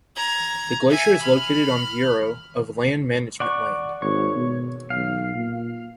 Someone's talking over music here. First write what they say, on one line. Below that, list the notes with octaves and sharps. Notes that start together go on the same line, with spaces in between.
The glacier is located on Bureau of Land Management land.
A#5 G#6
E5 G#5
B5 F6
D5 F#5 C#6
G#1 C#5
B2
B1 F5
A#2